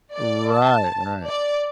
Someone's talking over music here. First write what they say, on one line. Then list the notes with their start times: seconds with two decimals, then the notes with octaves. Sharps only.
Right, right.
0.14 D5
0.54 A5
1.27 D5